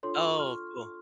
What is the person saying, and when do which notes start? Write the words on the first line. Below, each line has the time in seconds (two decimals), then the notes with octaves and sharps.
Oh, cool.
0.03 D4 F4 A4 C#5 C6
0.21 C#6
0.39 F6